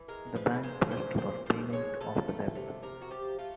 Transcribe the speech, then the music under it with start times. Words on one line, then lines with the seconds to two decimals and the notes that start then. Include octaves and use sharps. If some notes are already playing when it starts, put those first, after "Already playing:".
The bank pressed for payment of the debt.
Already playing: E3
0.08 G#3 A#4
0.36 F3 B4
0.63 G#3 C5
0.91 A#2 C5
1.18 A#2 C5
1.46 F3 C5
1.73 G#3 C#5
2.01 F3 A4
2.28 A3
2.55 C3
2.83 C3 A#4
3.01 F#4
3.10 F3 G4
3.39 A3 F4